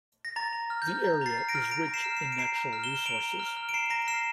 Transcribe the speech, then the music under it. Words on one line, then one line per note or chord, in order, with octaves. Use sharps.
The area is rich in natural resources.
A#6
A#5 A6
A#5
F6
G6
F6
A#5
A#5 A6 C7
F6
A#6 D7
F6
A#5 A#6 D7
A#5
C7 E7
F6
C7 E7
F6
D7
A#5 C7 E7
A#5
F6
E7 G7
F6
A#5 D7 F7
A#5
F6
F6
D7
A#5 C7 E7
A#5 A#6 D7
F6 C7 E7